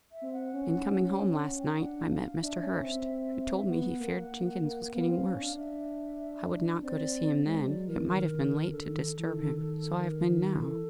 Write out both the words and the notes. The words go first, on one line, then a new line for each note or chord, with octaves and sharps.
"In coming home last night, I met Mr. Hurst, who told me he feared Jenkins was getting worse. I would not go to see him then; it might have been late to disturb him, so I have been now."
E5
C4
F#5
C#4
G5
F#5
G5
D4 F#5
F5
D4 E5
C#4
C4
B3 F#5
A#3
A#3
A#3
B3 F5
C4
C#4
D4
E5
C4 D5
G#3 C5
F#3 D5
E3 A#4
D#3 A#4
D3 A4
D#3
E3
D#3
D#3 A#4
D#3
E3 A4